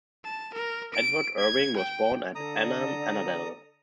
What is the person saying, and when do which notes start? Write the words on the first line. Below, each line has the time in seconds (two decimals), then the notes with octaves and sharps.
Edward Irving was born at Annan, Annandale.
0.24 A5
0.54 A#4
0.94 D7
1.38 G#6
1.76 G5
2.35 D3 A4 D5 A#5 D#6